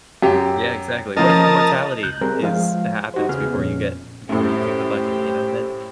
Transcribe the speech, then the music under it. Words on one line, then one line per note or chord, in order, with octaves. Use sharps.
Yeah, exactly, what if immortality is h happens before you get before you kick the bucket, you know, then
F#2 G4 G5
F3 A#3 C#4 A#4 D#5 A5
C#2 F#6 G6
G3 C4 G#4 A#4
F3 G#3 F5
D#4 F#4 G4 C5
E2 C#3 B3 G#4 F6
F2 A#2 C#4
F#2 A2 G4 C5